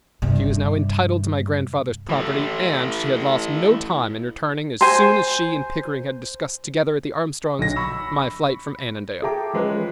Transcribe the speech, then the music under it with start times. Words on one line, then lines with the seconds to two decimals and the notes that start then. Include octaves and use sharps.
She was now entitled to my grandfather’s property and she had lost no time in returning as soon as she and Pickering had discussed together at the Armstrongs’ my flight from Annandale.
0.22 G2 C3
2.09 E3 A3
4.81 C5 G#5 A#5 C6
7.59 B1 D3 A#6
7.76 B5 C#6 E6
9.22 G#4 A4 E5 G5 A#5 D6
9.53 E3 F3 G#3 C#4 B4